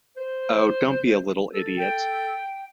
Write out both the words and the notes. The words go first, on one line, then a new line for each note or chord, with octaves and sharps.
Oh, don't be a little idiot!
C5
A4
G5